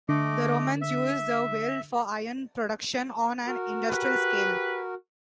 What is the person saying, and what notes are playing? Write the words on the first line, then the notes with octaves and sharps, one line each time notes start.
The Romans used the Weald for iron production on an industrial scale.
D3 A3 D#5 D6
E5
F#4 A#4
G4 B4